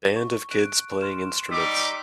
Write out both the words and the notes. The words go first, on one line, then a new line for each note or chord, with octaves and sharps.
Band of kids playing instruments.
C#6
F#6 D7
C6 F6 E7
G3 D#4 D6 E6 B6